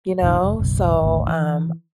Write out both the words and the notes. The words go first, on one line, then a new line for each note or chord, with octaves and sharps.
You know? So, um
F1 A#1 A2 D#3
F1
F#1 B1
G#1 D2
E3